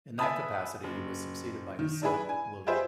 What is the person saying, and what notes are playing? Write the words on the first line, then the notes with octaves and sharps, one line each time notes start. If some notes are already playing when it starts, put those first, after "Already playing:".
In that capacity he was succeeded by his son William.
B4 E5 G#5 A5 B5 D#6
F#1
D#3
D4 E4 G#4 B4
G#5
F4 G4 G#4 B4 C5 E5